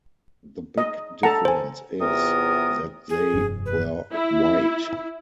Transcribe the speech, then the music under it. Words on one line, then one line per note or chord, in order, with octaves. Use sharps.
The big difference is that they were white.
D#5
A4 F#5 A5 A#5
C5 G#5
E2 C3 B3 F4 A#4 D#6
G#4
F1 G2 F3
B4
E4